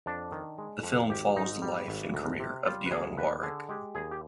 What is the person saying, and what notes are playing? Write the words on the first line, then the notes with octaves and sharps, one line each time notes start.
The film follows the life and career of Dionne Warwick.
F2 D4
D#3
G#3
F2
G#1 G4
G#2 D#4
G3
G#1
D2
C3
G3 F4
B4
D2 G#4
D#2 B4
D3 G#4
G#3 G4
D#2 G#4
G4